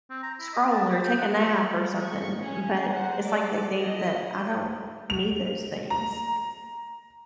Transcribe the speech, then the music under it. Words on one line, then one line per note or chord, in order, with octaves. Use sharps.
scroll, or take a nap, or something, but it's like they think that I don't need those things.
C4
A#5
E4
D#5
A5
G4
G5
F#5
G3 B5 C#6
D#5 C#6
C#4 G#4
C5 F#5 A#5
A4 D5
E4 D#5
F7
A#5